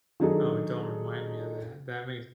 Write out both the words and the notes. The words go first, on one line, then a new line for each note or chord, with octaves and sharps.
Oh, don't remind me of that, that makes
D#3 F#3 D4 D#4 G#4 A4